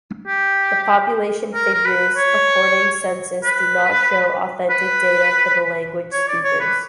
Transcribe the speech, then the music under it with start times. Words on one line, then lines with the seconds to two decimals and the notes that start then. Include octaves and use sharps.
The population figures according census do not show authentic data for the language speakers.
0.28 G4
1.54 A#4
1.74 A#4
1.86 B4
2.17 C#5
3.44 B4
4.70 B4
6.13 C#5
6.28 D5
6.44 C#5
6.60 B4